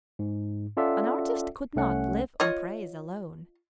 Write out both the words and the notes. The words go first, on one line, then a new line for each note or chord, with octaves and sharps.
An artist could not live on praise alone.
G#2
C#4 F4 A4 D5 E5 F#5
C2 A3 C#4 F#5
F4 C#5 D#5